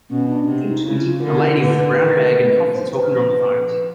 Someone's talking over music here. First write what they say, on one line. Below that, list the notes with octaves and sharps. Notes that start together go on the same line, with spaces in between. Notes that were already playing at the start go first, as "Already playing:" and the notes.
A lady with a brown bag and coffee talking on the phone.
B2 C#4
D4
C3
D#4
C#3 E4
E4
F4
D3 A#4
D3 B4
B4
B4
D#3
C5
B4
F3